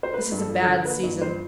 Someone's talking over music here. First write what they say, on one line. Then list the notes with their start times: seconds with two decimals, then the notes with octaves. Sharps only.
This is a bad season.
0.03 C5
0.14 A#3 B4
0.32 G2
0.38 A4
0.49 F3
0.61 A4
0.67 D3
0.85 A#3 B4
1.03 G2
1.21 F3 C5